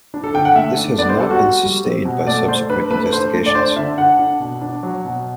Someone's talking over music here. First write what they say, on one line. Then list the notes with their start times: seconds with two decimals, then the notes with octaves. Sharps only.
This has not been sustained by subsequent investigations.
0.14 D4
0.24 A4
0.34 D3 G5
0.45 F#5
0.55 A3 E5
0.77 D4
0.98 B3 D5
1.09 C5
1.19 G3 A4
1.30 F#4
1.41 G3
1.63 G3
1.84 C4
2.05 B2
2.26 A3 D5
2.48 A3 C5
2.70 D4 B4
2.91 A3 B4
3.12 D4 C5
3.34 A3
3.46 D5
3.55 D4 C5
3.76 D3 E5
3.98 D4 F#5
4.19 D4
4.40 B2
4.61 D4
4.83 F#3
5.05 B2